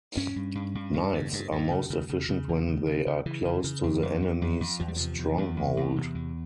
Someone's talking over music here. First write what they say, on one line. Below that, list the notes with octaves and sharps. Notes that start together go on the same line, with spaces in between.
Knights are most efficient when they are close to the enemy's stronghold.
G2 C#4
G2
G2
G2
G2
G2
G2
G2
C#3
C#3
C#3
C#3
E2
C#3
C#3
C#3
C#3 E3
C#3
C#3
F2
F2
F2
F2
F2
E2 F3
G3
C3 F3
E2
E2
E2
E2
C3
E2